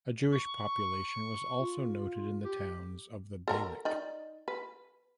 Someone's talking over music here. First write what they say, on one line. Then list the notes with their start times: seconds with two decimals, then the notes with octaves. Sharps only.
A Jewish population was also noted in the towns of the Beylik.
0.33 C#6
1.60 F4
2.45 G4
3.48 A4 A#4 A#5
3.85 D#4 D5
4.48 B4